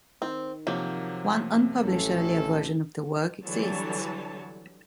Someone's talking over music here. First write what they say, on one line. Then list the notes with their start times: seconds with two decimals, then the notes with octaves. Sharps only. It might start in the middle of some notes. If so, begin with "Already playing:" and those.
One unpublished earlier version of the work exists.
0.22 D#3 C4
0.67 C3 F3 F#3 A#3 G6
1.85 A1 C#4 E4 A4
3.46 D3 E3 F#3 G3 C#5 A5